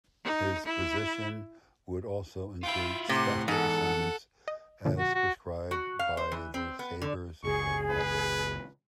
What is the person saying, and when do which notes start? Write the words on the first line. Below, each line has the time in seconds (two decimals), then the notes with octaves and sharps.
His position would also include special assignments as prescribed by the Sabres front office.
0.24 D#4
0.66 E4
2.64 E4 F4 G5
3.09 A2 C3 F#5 C6
3.48 E2 G#2 A4 F#5
4.48 D#5
4.85 A#2 D3 F3
4.98 F#4
5.15 F#4
5.71 F#4
5.99 F5
6.17 C5
6.32 E3
6.54 C4
6.79 B3
7.02 D3
7.44 F#1 C#2 G#4 C#6
7.91 B4